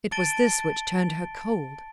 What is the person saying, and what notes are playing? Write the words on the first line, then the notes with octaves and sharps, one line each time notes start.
It was this which turned her cold.
A5 A6 D7 G7